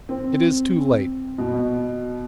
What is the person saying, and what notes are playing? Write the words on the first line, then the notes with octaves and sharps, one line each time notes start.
It is too late.
C4
B2